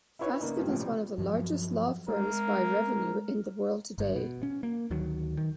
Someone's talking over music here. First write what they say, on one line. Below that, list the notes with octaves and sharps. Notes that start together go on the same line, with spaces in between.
Fasken is one of the largest law firms by revenue in the world today.
E4 F4 B4 C#5 C#6
C#3 A#3 D4 D#4
G2 F3
C#2 A2 C#3
C3 G3
G2 F3 F#3
G#3 A#4
G1 G2
B2
C#4
A#3
D2 D#3 F#3
D#3